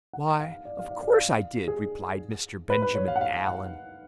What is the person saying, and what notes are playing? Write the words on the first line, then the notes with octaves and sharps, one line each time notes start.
'Why, of course I did,' replied Mr. Benjamin Allen.
F#5
F5
D5
F5
D5
F5
D5
F5
G#4
B4
B4
C#5
F5
F#5
F5
F#5